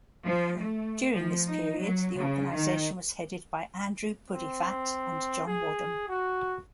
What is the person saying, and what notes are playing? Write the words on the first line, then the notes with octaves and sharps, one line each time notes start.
During this period, the organisation was headed by Andrew Puddephatt and John Wadham.
F3
A3
F3
D#4
F#3
C#3
D#3
C4
G#4
F#4